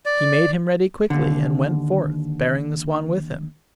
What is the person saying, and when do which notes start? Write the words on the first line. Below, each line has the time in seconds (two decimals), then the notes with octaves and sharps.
He made him ready quickly, and went forth, bearing the swan with him.
0.06 D5
1.10 D#2 D3